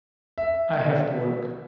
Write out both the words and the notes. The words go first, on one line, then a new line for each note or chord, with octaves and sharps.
I have to work.
E5